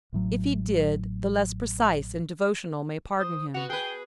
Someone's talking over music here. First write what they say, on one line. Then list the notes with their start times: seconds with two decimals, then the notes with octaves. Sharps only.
If he did, the less precise and devotional may pardon him.
0.13 A1 A2 F#3
3.19 C5 D#6
3.54 B3 F#4 F#5 F7
3.70 G#4 B4 G5 G7